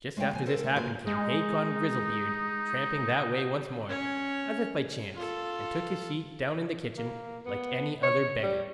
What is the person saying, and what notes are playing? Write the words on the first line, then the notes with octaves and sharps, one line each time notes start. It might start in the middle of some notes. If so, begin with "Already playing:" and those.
Just after this happened, came Hacon Grizzlebeard tramping that way once more, as if by chance, and took his seat down in the kitchen, like any other beggar.
G#3 A3 C#5 F5 G5
A#2 F3 G#5
A4 A#4 C5 F5
A3
A#3 F4 F#4 B4
G#3 D#4
C#4 C#5
F4 A4
A#3
B3
C#5
G3